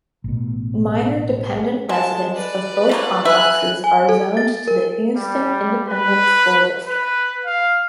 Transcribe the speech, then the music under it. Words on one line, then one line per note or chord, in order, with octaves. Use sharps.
Minor dependent residents of both complexes are zoned to the Houston Independent School District.
A1 B2
G#3 A5
B4 D5
F3 F#3 A#3
B4 E5 G#5 F#6
G#5
A4
A6
A#4
G3
B4
B4
F5